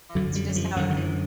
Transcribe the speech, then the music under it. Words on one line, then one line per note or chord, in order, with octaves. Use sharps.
it's just how
F#2 D3 F#3
G3
F#3
F3
F#2 D3 D#3
D#3
E3